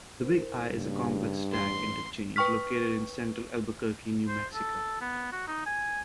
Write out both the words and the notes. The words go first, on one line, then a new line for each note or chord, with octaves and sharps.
The Big I is a complex stack interchange located in central Albuquerque, New Mexico.
E4 A#4 C5
G2 C#3 A#3
A1 C6
B4 G5 C#6 F6 B6
C5
A4
B3
F#4
D#4
G#5